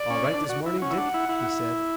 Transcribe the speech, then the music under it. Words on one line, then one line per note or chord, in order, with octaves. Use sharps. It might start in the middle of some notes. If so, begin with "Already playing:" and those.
"All right this morning, Dick?" he said.
Already playing: D5
C#4
D4
F#4
E4
C#4 F#5
E4
D4
E4
E4